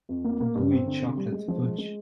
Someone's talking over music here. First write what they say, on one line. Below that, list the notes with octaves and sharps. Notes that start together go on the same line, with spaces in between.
Gooey chocolate fudge.
F2
A#3
A#3
G2
C4
D3
C3
G3
G#3
F3
G#3
G#3